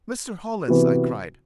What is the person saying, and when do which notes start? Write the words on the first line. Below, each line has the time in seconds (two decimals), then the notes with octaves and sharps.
"Mr. Hollins!" I cried.
0.68 C3 E3 B3 F#4